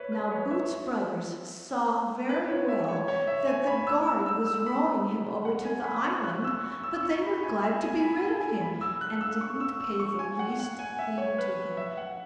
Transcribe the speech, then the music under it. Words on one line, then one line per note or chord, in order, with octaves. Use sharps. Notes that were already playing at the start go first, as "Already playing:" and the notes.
Now Boots' brothers saw very well that the guard was rowing him over to the island, but they were glad to be rid of him, and didn't pay the least heed to him.
Already playing: B4 C#5 E5
B4
C#5
E5
B4
C#5
E5
C#5
C#5
E5
G#5
B5
E6
E6
E6
E6
B5
F#5
G#5
B5
C#6
F#6
E6
C#6
E6
E6
C#6
B5
G#5
E5
G#5
B5
G#5
G#5
B5
E6
F#6
E6
C#6
E6
E6
C#6
G#5
F#5
F#5
G#5
E5
C#5
B4
E5
F#5